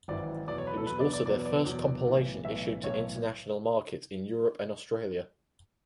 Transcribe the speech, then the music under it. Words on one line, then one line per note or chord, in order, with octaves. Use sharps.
It was also their first compilation issued to international markets in Europe and Australia.
G#1 F#2 E3 D5
E2 B2 F#3 B3 D5
C#5
B4
A4
E2 B2 F#3 B3 B4
D5
D5
E2 B2 F#3 B3 D5
D5
E2 B2 F#3 B3
B1 A2 E3
B1 A2 E3 E5
B1 A2 E3 C#5